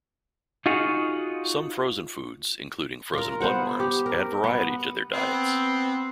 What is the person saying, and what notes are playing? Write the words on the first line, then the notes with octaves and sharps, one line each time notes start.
Some frozen foods, including frozen blood worms, add variety to their diets.
D#4 F4 F#4 G#4
F4 A#4
B3 C5 F#5
G4
A#4
B3
B3 C4